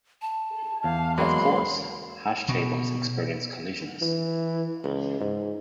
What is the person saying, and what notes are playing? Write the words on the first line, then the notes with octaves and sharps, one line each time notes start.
Of course, hash tables experience collisions.
A5
E2 F5
F#3 G#3 A#3 B5 C6
B2
E3
C#2
G#2